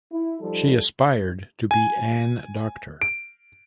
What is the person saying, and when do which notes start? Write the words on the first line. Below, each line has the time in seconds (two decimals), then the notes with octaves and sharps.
She aspired to be an doctor.
0.12 E4
0.41 F3 G3 D#4 A4
1.71 G#5
3.02 D7